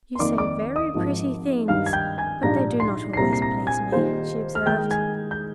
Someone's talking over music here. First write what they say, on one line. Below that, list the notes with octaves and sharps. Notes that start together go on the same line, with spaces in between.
"You say very pretty things; but they do not always please me," she observed.
C6
F2 D#3 A#3 D#4 D5 D6
D5 D6
D#5 D#6
G#1 G#2 F3
G2 D#3 G3 F5 F6
G#6
G5 G6
G#5 G#6
A#1 G#2 G3 D4 F4 A#5 A#6
C6 C7
C7
C2 A#2 G3 C4 A#5 A#6
C7
A#5 A#6
G#5 G#6
D#3 G3 A#3 F4 C5
F6
D#3 G#3 D#4 G5 G6
G#5 G#6
G6